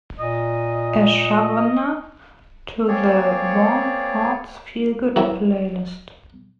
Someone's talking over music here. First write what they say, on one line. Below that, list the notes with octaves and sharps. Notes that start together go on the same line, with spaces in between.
A Shawnna to the Warm Hearts Feel Good playlist.
A#2 D#5
A#3 C4 G#4 C#5 D5
E3 F#3 A#3 C4 C#4 E4